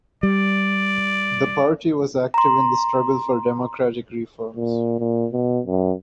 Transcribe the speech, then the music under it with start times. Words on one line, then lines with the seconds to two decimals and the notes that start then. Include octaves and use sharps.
The party was active in the struggle for democratic reforms.
0.23 G3 D5
2.34 A#5 C6
4.56 A#2
5.00 A#2
5.32 B2
5.66 F#2